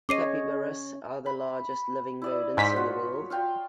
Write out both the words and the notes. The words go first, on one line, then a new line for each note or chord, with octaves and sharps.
Capybaras are the largest living rodents in the world.
C#4 G#4 C#5 D#5 D6 C7 D#7
B5
E4 D5 D#5
G#2 C5 F5 F#5 B6
F4 F#4 C#5
F4 F5 G5